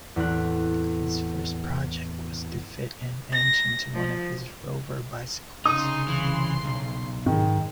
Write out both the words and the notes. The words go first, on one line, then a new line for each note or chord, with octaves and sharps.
His first project was to fit an engine to one of his Rover bicycles.
E2 A2 C4 F#6
A#6
F3
C2 C#3 D#4 C6 D#6
E3
B1
G#2 D#3 G#3